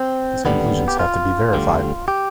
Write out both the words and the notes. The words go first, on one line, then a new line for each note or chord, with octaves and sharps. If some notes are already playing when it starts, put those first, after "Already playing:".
These conclusions have to be verified.
Already playing: C4
D#2 D3 G3 B3
G4
F4
D2 D3 G3
G4